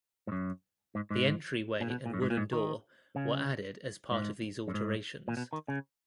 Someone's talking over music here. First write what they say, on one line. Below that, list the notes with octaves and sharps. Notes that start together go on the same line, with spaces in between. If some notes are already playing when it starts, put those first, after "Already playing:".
The entry way and wooden door were added as part of these alterations.
G#2
F#2
G#2
G#2
A#2
B2
A#2
F#2
G#2
A#2
G#2
D#3
C#3
G#2
F#2
G#2
A#2
B2
D#3
C#3